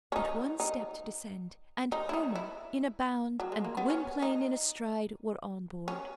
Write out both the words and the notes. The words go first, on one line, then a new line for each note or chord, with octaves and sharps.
But one step to descend, and Homo in a bound, and Gwynplaine in a stride, were on board.
C#4
D#4
D#4
D#4
E4
D#4
E4
F#3
G#3
A#3
B3
C#4
D#4
C#4